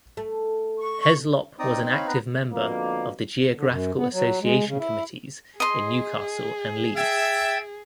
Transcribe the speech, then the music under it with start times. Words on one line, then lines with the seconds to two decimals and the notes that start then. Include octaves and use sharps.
Heslop was an active member of the Geographical Association committees in Newcastle and Leeds.
0.17 A3
0.80 C#6
1.59 C4 D#4 D5 A#5 D#6
1.92 C#5 F5 B5
2.07 B3 B4 A#5
2.51 F2 B2 D3 A#3
3.56 D3
3.69 F#2
3.97 B3
4.13 F#3
4.42 G#3
4.67 C#3
4.79 E4
5.60 G#4 D#5 C6
6.96 E5 G5 G#6 A6